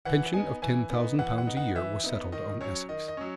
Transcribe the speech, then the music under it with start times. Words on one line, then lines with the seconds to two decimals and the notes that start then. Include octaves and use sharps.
A pension of ten thousand pounds a year was settled on Essex.
0.05 E3 F#5
0.34 B3 D#4 G#5
0.62 E3 G#5
0.90 B3 D#4
1.19 E3 F#5
1.38 F#5
1.47 B3 D#4
1.57 F#5
1.75 E3 E5
2.04 B3 D#4
2.32 D#3 D#5
2.61 F#3 C#4 C#5
2.89 D#3 D#5
3.08 D#5
3.17 F#3 C#4